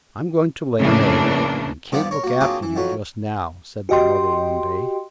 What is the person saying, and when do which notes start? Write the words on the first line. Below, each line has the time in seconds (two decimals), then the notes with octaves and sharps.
I'm going to lay an egg, and can't look after you just now,' said their mother one day.
0.79 F2 A2 C#3 E3 A#3 D4
1.92 G2 F3 B3 D5 F#5
2.11 A#4 C#5
2.24 A#3 F#4
2.41 F#3 A#3 C4 D4 F4 G#4
2.63 E3
2.76 F2 F#3 B4
3.89 F#4 G4 D#5 G5 C6